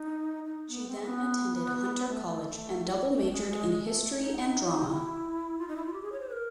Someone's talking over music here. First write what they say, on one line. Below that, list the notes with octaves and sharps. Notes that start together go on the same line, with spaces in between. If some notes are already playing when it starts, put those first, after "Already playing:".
She then attended Hunter College and double majored in history and drama.
Already playing: D#4
D#4
B3
C4
B3
A3
A3
A3
G#3
G#3
A3
D#4
E4
F4
D#4
E4
F4
G4
G#4
C#5
C5
B4
A#4